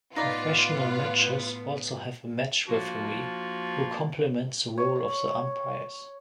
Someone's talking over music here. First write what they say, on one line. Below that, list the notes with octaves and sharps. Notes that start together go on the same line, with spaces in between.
Professional matches also have a match referee, who complements the role of the umpires.
A2 B3 D#4 F4 B4 D5 F#5 B5
F3 A#3 D4 F4 F#4
C#5